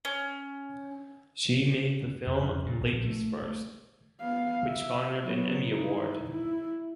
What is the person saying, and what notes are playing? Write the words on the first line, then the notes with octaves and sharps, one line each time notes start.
She made the film "Ladies First" which garnered an Emmy Award.
C#4
F2
F2
A#2
A#1
A3
A3
B3 F5
E5
F#3 B3
D#4 E4
E4